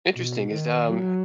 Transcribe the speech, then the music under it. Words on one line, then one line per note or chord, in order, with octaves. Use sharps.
Interesting, is, um,
B2
D#3
F#3